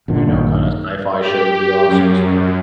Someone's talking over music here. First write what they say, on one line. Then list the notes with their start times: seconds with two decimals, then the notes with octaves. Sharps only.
you know, kinda sci-fi show would be awesome, so.
0.08 G1 F#2 A#2 D3
0.27 A#1 G2 D#3 A#3
1.20 G4
1.87 F#2